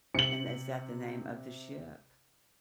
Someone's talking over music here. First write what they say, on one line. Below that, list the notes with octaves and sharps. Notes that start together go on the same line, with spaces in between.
And is that the name of the ship?
C3 C#7 F#7